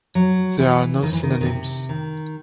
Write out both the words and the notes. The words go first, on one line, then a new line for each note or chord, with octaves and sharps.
There are no synonyms.
F#3
E3
D#3
E3
D#3
D#3
C3
D#3